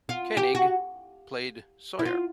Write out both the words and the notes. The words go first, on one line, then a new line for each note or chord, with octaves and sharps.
Koenig played Sawyer.
F4
G4
F#4
E4
F4